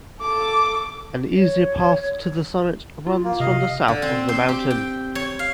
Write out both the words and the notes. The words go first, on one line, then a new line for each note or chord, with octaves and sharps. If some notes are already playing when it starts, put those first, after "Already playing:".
An easier path to the summit runs from the south of the mountain.
A4 D6
C#5
F4
A#3
C3 D#5 F5
D3
C4
C5
G4
G5
C#5
F5